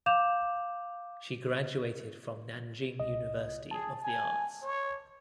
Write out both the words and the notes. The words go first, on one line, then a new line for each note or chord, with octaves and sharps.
She graduated from Nanjing University of the Arts.
F5 D6 G6 E7 F7
C2 D#5
G#4 A5
G#5
C#5